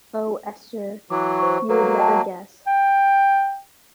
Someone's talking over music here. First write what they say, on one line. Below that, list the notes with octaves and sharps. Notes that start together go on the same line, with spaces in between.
Oh, Esther, you would never guess!
E3 F#3 D6
C5 C#6
F#3 A#3 A4 B4
D#5 G5 A5
G5